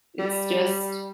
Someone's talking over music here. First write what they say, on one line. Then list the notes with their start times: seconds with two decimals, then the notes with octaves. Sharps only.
it's just,
0.19 G3